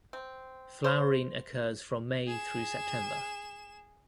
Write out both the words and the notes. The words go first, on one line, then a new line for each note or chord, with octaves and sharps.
Flowering occurs from May through September.
C4
C5
G#4 E7